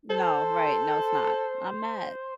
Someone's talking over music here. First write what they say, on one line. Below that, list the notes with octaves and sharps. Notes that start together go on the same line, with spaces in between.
No, right, no, it's not. I'm mad,
A4 C5